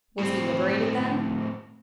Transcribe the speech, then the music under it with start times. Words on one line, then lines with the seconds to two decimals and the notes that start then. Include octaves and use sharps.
"Was he liberated, then?"
0.19 A2 C4